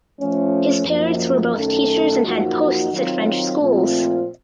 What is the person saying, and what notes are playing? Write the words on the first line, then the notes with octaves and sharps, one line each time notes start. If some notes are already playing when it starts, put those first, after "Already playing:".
His parents were both teachers and had posts at French schools.
F3 A3 C#4
F#2 F3 A#3
F#2 D#3 A3 C#4 A4
F#2 F3 A#3 D#4 F#4
D#3 F#3 C4 F4
A#2 F3 A3 C4 F4